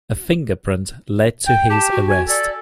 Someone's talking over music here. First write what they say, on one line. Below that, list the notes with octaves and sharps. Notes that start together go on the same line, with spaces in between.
A fingerprint led to his arrest.
G5
G4 A5
F#4
G#5
A4 D5